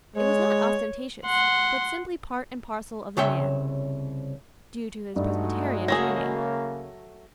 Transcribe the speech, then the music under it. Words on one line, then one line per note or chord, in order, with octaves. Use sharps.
It was not ostentatious, but simply part and parcel of the man, due to his Presbyterian training.
G#3 C#5
F#5 C6
C2 C#3 C#5 E5 G5
G2 G#3 A3 D#4 F#4
C#3 F#3 A3 A#3 G#4 A#6